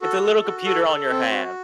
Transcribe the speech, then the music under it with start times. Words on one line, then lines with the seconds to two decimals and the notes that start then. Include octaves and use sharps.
It's a little computer on your hand,
0.02 F#4 A4
0.23 A4
0.44 F#4
0.66 A4
0.88 A4
1.09 C4
1.30 F#4